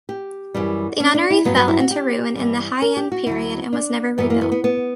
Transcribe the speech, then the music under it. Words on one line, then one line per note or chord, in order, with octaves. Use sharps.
The nunnery fell into ruin in the Heian period and was never rebuilt.
G4
F#2 E3 G3
C#4
D4
E4
G2 F#3 B3
B3
E4
F#4
G4
G2 E3 G3
A#4
G4
F#4
D2 D3 F#3 E4
D4
F#2 E3 G3 B3
A#3
B3
B3
B3